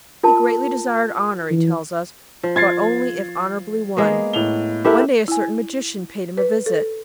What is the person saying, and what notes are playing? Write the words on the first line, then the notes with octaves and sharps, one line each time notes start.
He greatly desired honour, he tells us, but only if honourably won. One day a certain magician paid him a visit.
F4 A#4 A5
E3
F3
F4 G#6 A6 C7
G#3 A#3 B3
A2 F7 G7
E4 G4 A4 A#4 E5 F#5
E4 G#5
B4
A4